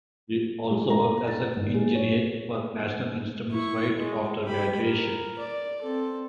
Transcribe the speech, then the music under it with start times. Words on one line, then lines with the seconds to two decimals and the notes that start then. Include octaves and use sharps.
He also worked as an engineer for National Instruments right after graduation.
0.71 G#3
0.90 A#5
1.27 A6
1.56 G#1
1.74 G#4
1.95 C#5
3.50 E4 C#6
3.97 G#3
4.43 G4 B5
4.82 A#4
5.38 D5
5.81 C4 A4